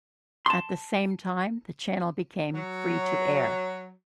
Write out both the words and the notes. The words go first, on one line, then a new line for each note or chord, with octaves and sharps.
At the same time the channel became free-to-air.
A5 C6
F#3